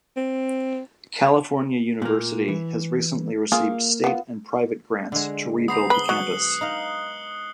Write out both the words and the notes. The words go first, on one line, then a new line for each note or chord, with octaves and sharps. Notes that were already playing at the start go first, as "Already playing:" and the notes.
California University has recently received state and private grants to rebuild the campus.
C4
A#2 A#3
E3
A#3 F4 G#4
B3 F4
D3 G#3
B3 C5 A#5 D#6 C7
B4 F#7 G7
F#3 D#6 F#6 C#7
D#4 D#5 F5